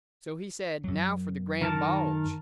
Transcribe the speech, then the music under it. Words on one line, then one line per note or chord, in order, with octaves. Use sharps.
So he said, now for the grand bulge!
F#2 F#3
D#3 A#4 A5